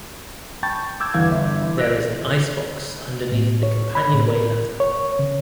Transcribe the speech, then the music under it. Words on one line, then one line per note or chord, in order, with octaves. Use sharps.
There is an ice box underneath the companionway ladder.
G5 A5 B5 C#6 G6 A6
D6 E6 G6 G#6
G1 E2 E3 F5 G#6
G1 E5
E3
E6 F#6 A#6 D7
A2
C#5
B5
A2
A#4
C#5
C#3